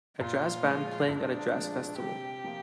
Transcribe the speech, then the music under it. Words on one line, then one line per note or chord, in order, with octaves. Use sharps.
A jazz band playing at a jazz festival.
A#2 F4
F3 G#3
A#2 D4
F3 G#3
C3 G4
F3 A#3 F4